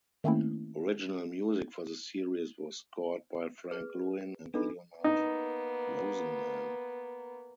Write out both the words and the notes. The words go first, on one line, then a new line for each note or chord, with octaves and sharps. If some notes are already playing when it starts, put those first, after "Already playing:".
Original music for the series was scored by Frank Lewin and Leonard Rosenman.
D#3 A3 A#3 C4 C#4 E4
G#4 B4
B3 D4 D#4 A4 B4
A#3 B3 D#4